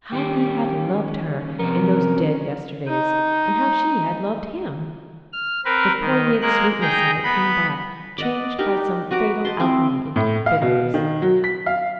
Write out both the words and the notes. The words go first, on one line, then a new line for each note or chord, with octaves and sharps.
How he had loved her, in those dead yesterdays, and how she had loved him! The poignant sweetness of it came back, changed by some fatal alchemy into bitterness.
D#3 G3 A#3 C#4 G4
C3 F3 B3 A#4
D#4
F6
C4 A#4 B4
D#3
G#3 A#3 A#4 F#6
D#4 G#4 G5 A#5
B3 B5
D5 D#5 F#5
D4 D#4 G4 A#4
F#4 B4 A#5 D6
C5 D#5 A5 C6
C4 E4 D6
A2
F5
B2
D#3
F#3
B6
F5